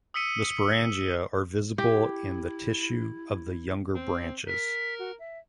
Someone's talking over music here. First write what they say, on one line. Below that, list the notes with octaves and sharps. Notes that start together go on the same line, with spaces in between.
The sporangia are visible in the tissue of the younger branches.
D#6 E6 B6 C#7 D#7
E4 G4
C4
A#4 B6
F#4
E5